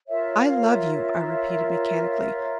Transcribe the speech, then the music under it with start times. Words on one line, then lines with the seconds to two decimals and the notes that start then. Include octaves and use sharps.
"I love you," I repeated mechanically.
0.08 F4 A#4 C#5 E5
0.37 F5
0.67 E5